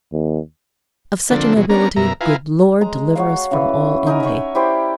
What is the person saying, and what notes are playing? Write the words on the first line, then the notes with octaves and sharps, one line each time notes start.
Of such a nobility, good Lord, deliver us from all envy!
D#2
D3 F3 A#3 C4 D4 A4
B2 E3 F#3 G#3
B3 C#4 D4 A#4 A#5
F#2 B2 A#4 E5 A#5
E4 F4 B4 F5 G#5 A#5
G#3 A#5
F#4 C#5 F5
C#3 E3
D#4 A#4 G#5
E5 C#6
E4 G4 C5 D5